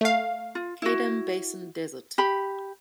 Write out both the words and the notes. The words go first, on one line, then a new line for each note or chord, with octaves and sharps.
Qaidam Basin Desert.
A3 F5
F4
E4 F#4
G4 B5